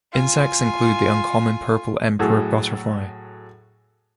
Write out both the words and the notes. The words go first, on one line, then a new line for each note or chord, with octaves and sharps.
Insects include the uncommon purple emperor butterfly.
F4 G#5
A2 F#3 G#4 A4